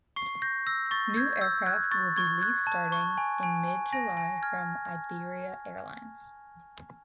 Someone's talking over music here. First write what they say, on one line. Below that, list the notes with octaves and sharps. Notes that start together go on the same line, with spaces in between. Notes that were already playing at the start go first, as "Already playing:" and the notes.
New aircraft will be leased starting in mid-July from Iberia Airlines.
C#6 C7
G6 A#6
E6 A#6
C#6 A6
G6 G#6
E6 G6
F#6 G#6
C#6 A6
C#6 G#6
F#6 G#6
A5
C#6
G#5
G#5
G#5
G#5 A#6
G#5
F6 G#6